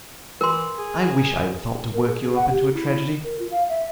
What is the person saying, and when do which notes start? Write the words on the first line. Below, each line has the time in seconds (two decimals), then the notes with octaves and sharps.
"I wish I had thought to work you up into a tragedy."
0.41 E3 A#4 C6
0.78 G#4
1.93 A#4
2.07 G#4
2.36 F#5
2.50 G4
2.73 E4
3.23 A#4
3.39 F4
3.51 F5
3.69 E5